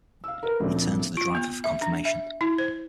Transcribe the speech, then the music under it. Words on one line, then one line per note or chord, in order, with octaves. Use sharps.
He turned to the driver for confirmation.
F5 E6
A#4 B4
D2 A#2 F3 A3 C4
F4
B3
E5
D4
E5
E4
C5